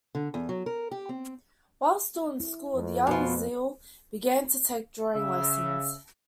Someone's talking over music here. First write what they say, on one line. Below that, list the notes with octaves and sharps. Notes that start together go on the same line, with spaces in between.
While still in school, the young Zille began to take drawing lessons.
D3
E2
F#3
A#4
G4
C4
E4
F2
B2 F3 A3 B3 B4 G#5
C#3 E5